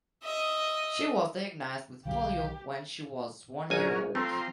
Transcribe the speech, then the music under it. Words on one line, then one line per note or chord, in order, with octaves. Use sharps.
She was diagnosed with polio when she was one year old.
D#5 E5
B1 D3 F#3 G4 F5
A#1 F#3 C#4 A#4 G#5
F3 A3 C4 A#5 C6